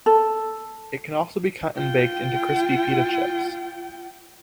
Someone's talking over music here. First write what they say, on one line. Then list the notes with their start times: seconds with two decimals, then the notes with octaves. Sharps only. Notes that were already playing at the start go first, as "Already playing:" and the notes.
It can also be cut and baked into crispy pita chips.
0.06 A4
1.77 F4 G5